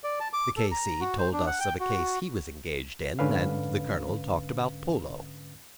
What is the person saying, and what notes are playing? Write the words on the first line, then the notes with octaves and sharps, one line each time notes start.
The K.C. told us of a case he was engaged in, and the Colonel talked about polo.
D5
A5
D6
A4
A#5
F#4
C5
D4
F#5
G5
F#4
G#2 D3 C#4 B4 F5